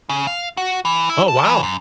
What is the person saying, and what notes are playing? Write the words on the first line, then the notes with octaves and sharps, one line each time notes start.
Oh, wow.
C#3
F5
F#4
E3
E4
A5
E3
F#2